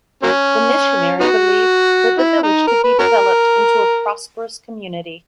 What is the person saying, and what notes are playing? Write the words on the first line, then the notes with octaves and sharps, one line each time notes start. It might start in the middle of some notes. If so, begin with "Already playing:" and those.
The missionary believed that the village could be developed into a prosperous community.
F#3 A#3 C#4
B3 D#4 F#4
E4
D#4
A#4
B4
C#4 F#4 A#4